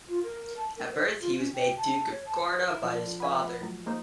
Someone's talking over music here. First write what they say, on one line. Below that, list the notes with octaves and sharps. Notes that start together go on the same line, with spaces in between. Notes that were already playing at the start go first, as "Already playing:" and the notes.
At birth, he was made Duke of Guarda by his father.
F4
A#4
A5
A#4
C5
G#4
F4
C#4
G5
A5
C#5
A5
E4 A#4
D3 F3
B3 E5 G#5 B5
A2 F#3
G#3 A#3 D#4 C5